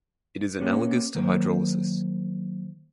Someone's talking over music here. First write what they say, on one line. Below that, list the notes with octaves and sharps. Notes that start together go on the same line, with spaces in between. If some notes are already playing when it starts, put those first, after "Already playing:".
It is analogous to hydrolysis.
A#3 C#4 G4 B4 C#5
D#3 F#3 A#3 C5